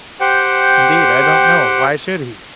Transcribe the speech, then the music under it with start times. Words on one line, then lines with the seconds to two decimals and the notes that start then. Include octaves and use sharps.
"Indeed I don't know.--Why should he?"
0.20 G4 C5 F#5 G5